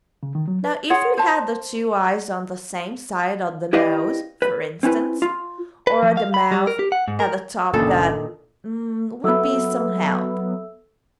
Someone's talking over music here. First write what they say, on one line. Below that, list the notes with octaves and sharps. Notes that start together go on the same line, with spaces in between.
Now if you had the two eyes on the same side of the nose, for instance--or the mouth at the top--that would be SOME help.'
C#3
D#3
F#3
B4
F4 G#4 C#5 F#5
C5 A5
E4 G4 B4 D5 D#5 F5
B4
C4 C#4 E4 B4
F4
B4
F3
F5
B5
G3
A#4
G4
F#5
G#2
A#4
F#1 A#2 D#3 C#4 D4 A4
F#3 B3 A4 E5 E6